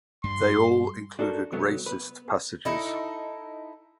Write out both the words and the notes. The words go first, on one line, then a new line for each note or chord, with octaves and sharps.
They all included racist passages.
G2 G3 C6
D4 F#4 A4 A#4
C2 B2 F#3 A3 B3
B3 B4
D#4 E4 A4